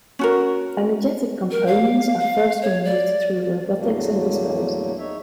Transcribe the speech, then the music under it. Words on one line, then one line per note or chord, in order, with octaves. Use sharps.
Energetic components are first removed through robotics and disposed.
C#4 F#4 A#4
A#4
F5
F5
C#5
D5
E2 A2 D3 F#3 A3 A#3
D#4 C#5 E5